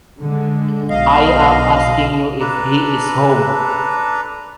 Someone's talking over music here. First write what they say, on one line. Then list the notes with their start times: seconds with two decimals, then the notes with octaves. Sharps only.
I am asking you if he is home.
0.18 D3 G#3
0.90 B1 D#5 F5
2.40 D4 A4 B4 A#5